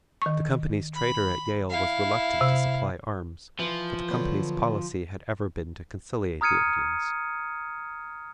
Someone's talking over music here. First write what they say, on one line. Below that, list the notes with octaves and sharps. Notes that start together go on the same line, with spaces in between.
The company's trader at Yale was reluctant to supply arms, for the company's policy had ever been to conciliate the Indians.
D#3 C#6
B5
E4 F5
C3
E3 F3
D3 F#3 B3
A#5 D#6 F6 G#6 C#7 D#7